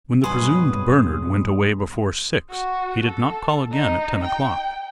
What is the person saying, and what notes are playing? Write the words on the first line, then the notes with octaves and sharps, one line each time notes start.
When the presumed Bernard went away before six, he did not call again at ten o'clock.
B1 G2 F#3 G3 G#4 B4 C6 D#6
F#4
A4
D#4
G5